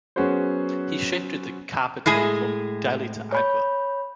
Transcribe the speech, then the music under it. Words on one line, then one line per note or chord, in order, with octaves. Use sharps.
He shifted the capital from Delhi to Agra.
F#3 B3 C#4 F#4 G#4 C5
A2 G#3 G#4
C#5 B5 G6